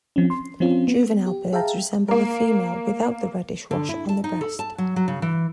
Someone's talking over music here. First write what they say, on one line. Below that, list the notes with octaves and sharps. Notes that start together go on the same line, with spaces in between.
Juvenile birds resemble the female without the reddish wash on the breast.
F3 C4 C#4
C6
F3 C4 C#4 F4
B3
G4
G#4 E5 F5 G5 A5 A#5
A#3 A#4
D3
E4
A5
D#4
A4
A5
F#3
F#3
C#3
E3